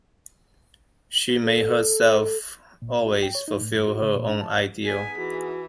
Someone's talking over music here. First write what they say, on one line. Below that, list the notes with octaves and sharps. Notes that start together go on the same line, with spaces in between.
She made herself always fulfill her own ideal.
A4
A#2
F#4
G5
C#5
D#4
A2
G2
F#4
C#3
A#2
D4
A5
B3 D#4 G#4 G#5 B6
E3 F#4